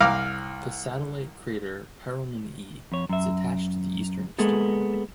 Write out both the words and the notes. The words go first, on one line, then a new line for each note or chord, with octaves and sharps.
The satellite crater Perel'man E is attached to the eastern exterior.
C2 F5 A#5 D6 F6
F2 C#5
F#2 E5
G#3 A#3 B3 G#4 A4